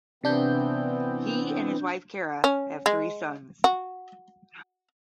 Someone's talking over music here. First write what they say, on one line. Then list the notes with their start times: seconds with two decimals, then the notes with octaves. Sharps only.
He and his wife Kara have three sons.
0.24 C3 E3 B3 C4 D4 G6
2.44 C#4
2.86 G#3
3.64 F#4